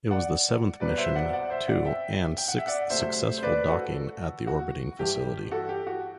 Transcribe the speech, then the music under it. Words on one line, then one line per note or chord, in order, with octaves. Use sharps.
It was the seventh mission to and sixth successful docking at the orbiting facility.
D5 F#5
C2 B2 F#3 B4 D5
C5 E5
D5 F#5
D5 F#5
C5 E5
D5 F#5
E5 G5
G5
F#5
E5
D5 F#5
D2 C3 F#3 A3 C5 E5
C5
B4 D5
F#4 A4
F#4
G2 E3 G3 G4
F#4 A4
G4
F#4